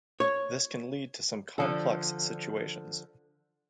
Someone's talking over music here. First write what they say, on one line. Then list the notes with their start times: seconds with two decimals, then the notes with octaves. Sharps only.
This can lead to some complex situations.
0.20 C#5
1.58 D3 F3 A4